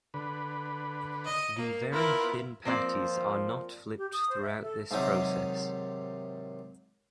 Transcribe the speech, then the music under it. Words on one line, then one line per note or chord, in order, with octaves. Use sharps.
The very thin patties are not flipped throughout this process.
D3 B4
D#5
A#3
B3 E4 F4 A#4
F3 A#3 C4 D5
G4
D#6
C5
E5
A4
G#2 C3 D#3 F#3